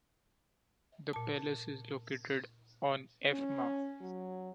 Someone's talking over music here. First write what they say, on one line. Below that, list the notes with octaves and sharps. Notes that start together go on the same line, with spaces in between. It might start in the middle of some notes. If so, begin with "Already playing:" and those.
The palace is located on F. Ma.
A#2 A5
C#4
F#3